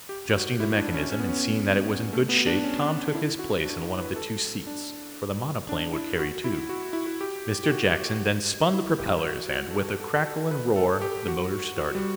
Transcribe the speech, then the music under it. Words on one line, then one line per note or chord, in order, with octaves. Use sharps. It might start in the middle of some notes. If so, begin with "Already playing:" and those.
Adjusting the mechanism, and seeing that it was in good shape, Tom took his place in one of the two seats, for the monoplane would carry two. Mr. Jackson then spun the propellers, and, with a crackle and roar the motor started.
G4
G4
F#4
E4
D4
C#4
C#4
B3
C#4
A3
B3
D4
C#4
E4
F#4
D4
B4
A4
D4
D4
E4
F#4
E4
F#4
E4
F#4
G4
G4
F#4
E4
G4
F#4
F#4
A4
G4
A4
A4
B4
A4
G4
F#4
F#4
G3